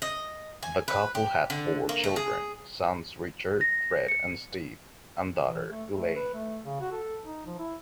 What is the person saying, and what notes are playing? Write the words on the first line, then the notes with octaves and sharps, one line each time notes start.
The couple had four children: sons Richard, Fred, and Steve, and daughter, Elaine.
D#5
G#5
B4
G4
D3
A#3
A3
G#4
A#6
C#7
E3
A3
A3
B4
A3
C#3
F#4
A4
D#4
F3
E4